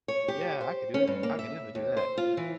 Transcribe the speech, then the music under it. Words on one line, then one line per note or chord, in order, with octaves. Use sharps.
"Yeah, I could do it, I can definitely do that."
C#5
G4
C5
C#4
G2
A#3
E5
D#2
C5
F4
E3